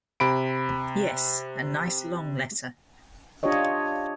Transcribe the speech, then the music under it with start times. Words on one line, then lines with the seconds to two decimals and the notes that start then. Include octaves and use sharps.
Yes, a nice long letter.
0.20 C3 B5 D7
3.43 D4 F4 G4 C#5 D#5